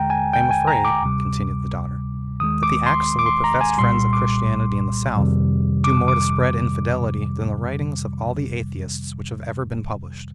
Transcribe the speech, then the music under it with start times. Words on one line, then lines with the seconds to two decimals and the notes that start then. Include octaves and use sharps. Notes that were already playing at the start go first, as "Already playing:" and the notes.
I am afraid," continued the daughter, "that the acts of the professed friends of Christianity in the South do more to spread infidelity than the writings of all the atheists which have ever been published.
Already playing: D#2 D3 G#3 G5 A#5
0.10 G#5
0.33 G5
0.51 G#5
0.67 A#5
0.85 D6
1.02 D2 C3 G3
2.40 D#2 D#3 G#3 D#6
2.63 D6
2.86 C6
3.19 D6
3.26 C6
3.44 A#5
3.61 G#5
3.78 C2 A#2 G3 C6
4.13 D6
5.16 F2 C3 D#3 G3
5.84 D6
6.08 D6